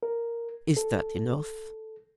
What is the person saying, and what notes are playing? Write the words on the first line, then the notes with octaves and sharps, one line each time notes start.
"Is that enough?"
A#4
A4